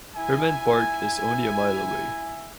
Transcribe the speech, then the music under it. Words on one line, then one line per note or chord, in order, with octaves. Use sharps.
Hermann Park is only a mile away.
E4 E5 G#5